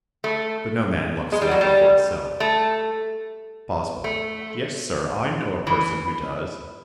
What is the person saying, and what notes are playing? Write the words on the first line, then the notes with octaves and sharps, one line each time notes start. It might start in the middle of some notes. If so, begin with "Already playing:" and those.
But no man loves labour for itself.' BOSWELL. 'Yes, Sir, I know a person who does.
A3
G#3
G3
F#3
G3
A3
A3
E3